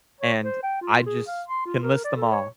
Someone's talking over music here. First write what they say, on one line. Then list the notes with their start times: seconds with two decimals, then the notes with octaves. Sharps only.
and I just can list them all.
0.21 C#5
0.43 C5
0.63 G5
0.81 F4
1.06 G#4
1.28 F5
1.48 C6
1.66 F4
1.83 A#4
2.04 D5
2.16 A4
2.31 C#5